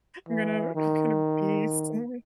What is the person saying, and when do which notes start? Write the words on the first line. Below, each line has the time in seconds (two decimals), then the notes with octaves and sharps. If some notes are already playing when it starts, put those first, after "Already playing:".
I'm gonna I'm gonna be sorry
0.29 E3
0.75 D#3